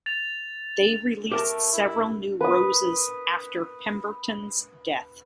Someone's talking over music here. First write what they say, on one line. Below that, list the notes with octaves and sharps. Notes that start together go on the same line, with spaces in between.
They released several new roses after Pemberton's death.
A6 F7
A3 G4 A#4 A5
E4
B4 D#6